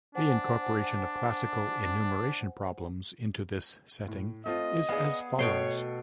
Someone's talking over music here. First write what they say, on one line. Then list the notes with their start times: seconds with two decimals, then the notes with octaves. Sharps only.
The incorporation of classical enumeration problems into this setting is as follows.
0.15 D4 C5 F#5 G#5
4.08 A2
4.46 A3 C4 F4 D#5
4.89 B3 G#4 D5 F5
5.39 B2 A3 C#5 G5 C6